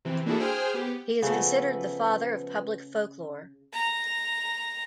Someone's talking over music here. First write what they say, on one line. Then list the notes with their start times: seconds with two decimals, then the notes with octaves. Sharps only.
He is considered the Father of Public Folklore.
0.05 C3 E3 C4
0.26 A#3 D4 E4 F#4 G#4 A4
0.39 G#4 C5 G5 G#5 F6
0.74 B3 G4
1.22 C#3 F3 A3 B3
3.73 A#5